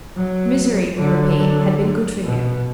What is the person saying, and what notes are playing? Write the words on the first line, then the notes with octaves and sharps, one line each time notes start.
Misery, we repeat, had been good for him.
F#3
D3 F#3
B2